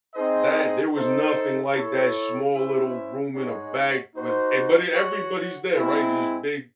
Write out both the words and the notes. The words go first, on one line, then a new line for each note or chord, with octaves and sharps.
that there was nothing like that small little room in a back with e but it everybody's there, right? Just big,
C4 D#4 G#4 C5 D#5
D#4 A4 C5 E5
E4 A4 C#5
C#4 E4 C5 E5
G#3 D#4 G#4 C#5 F#5
D#4 F#4 C5 F#5
F#4 C#5 F#5
G#3 C4 E4